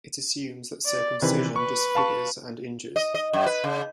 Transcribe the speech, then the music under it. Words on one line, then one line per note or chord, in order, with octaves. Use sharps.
It assumes that circumcision disfigures and injures.
D5
C3 D#3 E3 B4
B4 C#6
F5 A5 C#6
D#5
D#5
F#2
B4
C#3